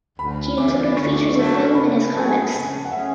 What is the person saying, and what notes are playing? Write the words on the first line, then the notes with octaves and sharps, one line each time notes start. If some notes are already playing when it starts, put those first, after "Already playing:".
He included features of film in his comics.
D2 B5
C#3 E3 D6
D2 C#6
C#6
D3 F#3 A3 D4 C#6
C#6
C#3 B5
F#3 C#4 G#4 A5
C#3 G#5
F#5
E3 A3 C#4 G#4 E5